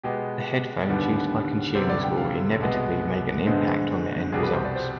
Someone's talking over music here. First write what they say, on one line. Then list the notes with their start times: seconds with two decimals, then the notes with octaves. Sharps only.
The headphones used by consumers will inevitably make an impact on the end results.
0.04 B2 G#3 B3 G4
0.89 D#2 D3 G3 B3
1.75 D2 C3 G3 B3 C5
1.90 D5
2.04 G5
2.17 F5
2.60 C2 B2 G#3 B3
3.46 G2 D3 G#3 B3 C5
4.32 C2 B2 G3 G#4
4.43 B4
4.53 C5
4.65 D5
4.75 C5